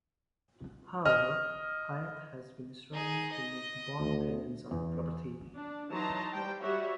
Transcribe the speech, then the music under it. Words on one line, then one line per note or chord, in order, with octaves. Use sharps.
However, Hyatt has been struggling to make bond payments on the property.
D#5 F6
D#4 G#4
D#5
D2
E2
D4
E3 F#3 D#4 A5 A#5 C6
G3 C5 G5
G3 F#4 C#5 E5